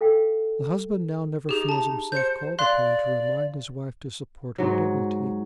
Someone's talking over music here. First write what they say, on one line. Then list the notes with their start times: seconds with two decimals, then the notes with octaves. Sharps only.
The husband now never feels himself called upon to remind his wife to support her dignity.
0.01 A4 F5 G5
1.49 D#4 G4 G#4
1.69 A5 A#5
2.12 C5 G6 C#7
2.59 D5 F5 C6 F#6
4.58 G#2 F#3